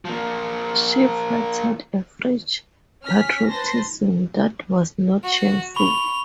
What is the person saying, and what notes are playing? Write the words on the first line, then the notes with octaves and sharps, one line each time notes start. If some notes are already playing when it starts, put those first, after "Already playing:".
She flattered a French patriotism that was not shameful.
F3 A#3
C#4 F6 B6
B4 C5 A5 C6 A#6
F#4
B5 C#6 F7 G7